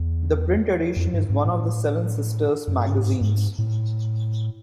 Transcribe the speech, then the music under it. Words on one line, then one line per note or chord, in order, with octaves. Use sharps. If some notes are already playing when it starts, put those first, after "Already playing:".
The print edition is one of the Seven Sisters magazines.
Already playing: E2
F2
G2
G#2
A2
F#2
G2
G#2
G2
G#2
A2